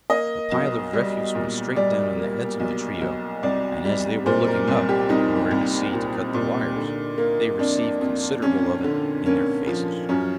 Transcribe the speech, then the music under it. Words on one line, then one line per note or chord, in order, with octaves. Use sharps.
The pile of refuse went straight down on the heads of the trio, and, as they were looking up, in order to see to cut the wires, they received considerable of it in their faces.
A#3 D#5
B1
G3
A#2
G3 D5
A#3
B1
B1
C2 D5
G3
A#2 C5
A#4
C2
G4
C2 D#4
C2
A#2
A#2
D3
A#3
F2 D4
F2
F2 C#4
D3
A#3 C#4
F3
F#2 C#4